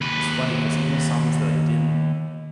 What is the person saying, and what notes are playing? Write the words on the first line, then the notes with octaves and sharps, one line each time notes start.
It's funny 'cause even songs that I didn't
D#2 B4